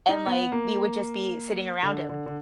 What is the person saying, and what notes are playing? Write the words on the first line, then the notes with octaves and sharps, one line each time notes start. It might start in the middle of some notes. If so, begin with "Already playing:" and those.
and, like, we would just be sitting around him.
D#4
B3
A#3
D3
D3
D3